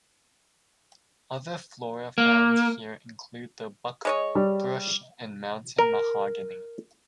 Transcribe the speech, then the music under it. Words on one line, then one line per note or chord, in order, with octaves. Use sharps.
Other flora found here include the buckbrush and mountain mahogany.
A#3
G#3 C#5 D#5
G3
A#4